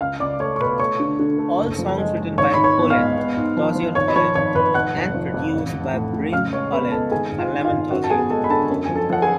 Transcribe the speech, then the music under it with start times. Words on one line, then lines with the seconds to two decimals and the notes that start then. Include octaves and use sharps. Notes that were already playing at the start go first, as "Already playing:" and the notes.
All songs written by Holland-Dozier-Holland and produced by Brian Holland and Lamont Dozier.
0.01 C#2 F5 F6
0.20 C#2 D5 D6
0.40 A3 C#5 C#6
0.56 C#6
0.60 B2 B4 B5
0.80 A3 C#5 C#6
1.00 D3
1.19 D3
1.39 A3
1.59 F#1
1.79 F3
1.98 G#3
2.17 G#3
2.38 G#1 C#5 C#6
2.54 G#2 B5
2.64 C#5 C#6
2.78 B3
2.90 F5 F6
2.97 G#3
3.17 B3
3.37 G#2
3.57 F3
3.76 F3
3.95 G#1 C#5 C#6
4.08 B5
4.16 F3 C#5 C#6
4.35 G#1 C#5 C#6
4.55 G#1 B4 B5
4.74 F1 F#5 F#6
4.95 F1
5.14 F3
5.34 F2
5.54 A1
5.73 A1
5.94 A2
6.13 A2
6.33 C#3 F5 F6
6.53 G#3 C#5 C#6
6.72 B3 B4 B5
6.91 G#3 A4 A5
7.11 G#1 G#4 G#5
7.32 G#1
7.38 F4 F5
7.51 G#2
7.65 F4 F5
7.71 G#1
7.91 F#2 F#4 F#5
8.04 A5
8.10 B3 G#4 G#5
8.30 G#3 A4 A5
8.44 B5
8.50 D3 A4 A5
8.70 F#2
8.85 F3 G#5
8.96 A4 A5
9.10 F3 F#5
9.22 G#4 G#5